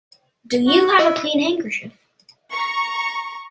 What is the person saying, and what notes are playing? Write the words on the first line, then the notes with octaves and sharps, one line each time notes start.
Do you have a clean handkerchief?
F#4
E4 D#5
A#5 C#6